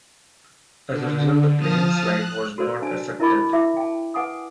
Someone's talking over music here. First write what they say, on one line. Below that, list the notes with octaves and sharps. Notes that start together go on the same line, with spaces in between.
As a result the plane's flight was not affected.
D3
F3 A5 D#6 F6
F#6
F#4 A4 B4 C5 D5 E6
D4 G#5 A5
E4 A#4 D#5 A5 B5 D6
E4 E5 D6
G5 A5
B4 F#5 G#5 D6 D#6